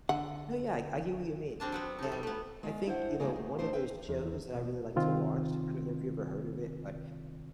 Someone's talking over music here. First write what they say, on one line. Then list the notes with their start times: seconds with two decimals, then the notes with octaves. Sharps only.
No, yeah, I I get what you mean. And I think, you know, one of those shows that I really like to watch, I don't know if you've ever heard of it, but
0.09 D3 F#5
1.60 G3 C4 D4 A5
1.72 F#3 B3 C4
1.99 D#4 A4
2.12 G3
2.23 A3 B3
2.63 G#3 F4
2.86 D4 E4 G#4 C5 F#5
3.20 C#3 F3 G3 G#3 A#3 D4
3.33 E2 A2
3.59 F2 A2 F3 A3 D4 C5
3.73 B4 E5 G5
4.09 E2
4.54 B2
4.96 C3 D#3 C4 F4